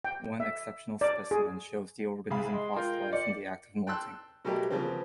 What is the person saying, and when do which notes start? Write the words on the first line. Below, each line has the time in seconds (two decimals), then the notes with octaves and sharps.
One exceptional specimen shows the organism fossilized in the act of moulting.
0.05 G5
0.40 E5
1.01 D5
1.31 G#4
2.30 C2 G#4 F5 B5
2.53 G#3 C6
2.76 F4 A#4 G5
3.13 D5 C#7
3.87 G5 A5 C6 E6 F#6
4.45 B2 F#3 G3 A3 G4 A#4
4.70 C#3 E3 F3 A#3 C4